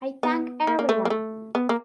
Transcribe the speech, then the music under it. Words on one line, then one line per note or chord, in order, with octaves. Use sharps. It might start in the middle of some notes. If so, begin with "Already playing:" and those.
I thank everyone.
B3
A#3
A#3
A3
A#3
A3
B3
A#3